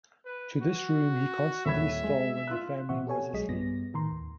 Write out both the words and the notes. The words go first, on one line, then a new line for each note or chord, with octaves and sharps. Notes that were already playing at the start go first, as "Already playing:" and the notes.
To this room he constantly stole when the family was asleep.
B4
F#4
D#1 E5 B5 G#6
G#3
F4 F#6
A#2 E3 C4 E5 F#5 C#6
G4 A4 C#5 G#5
B1 F#3 G#3 G#4 D#5 B6
G2 G3 B3 A#6
A2 D#3 A#5 C6
D#2